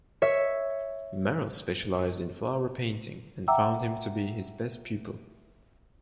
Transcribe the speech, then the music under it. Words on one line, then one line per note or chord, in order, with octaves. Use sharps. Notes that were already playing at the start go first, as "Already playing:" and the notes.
Marrel specialized in flower painting, and found him to be his best pupil.
C#5 E5
E5 F#5 G5 A#5 D6 E6